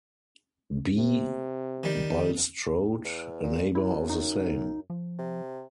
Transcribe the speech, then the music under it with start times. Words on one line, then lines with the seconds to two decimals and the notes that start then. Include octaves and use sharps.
B. Bulstrode, a neighbour of the same.
0.97 C3
1.83 D#3 G3
3.04 E2
3.43 A#2
3.75 F#2 E4
4.10 D#4
4.90 F3
5.19 C3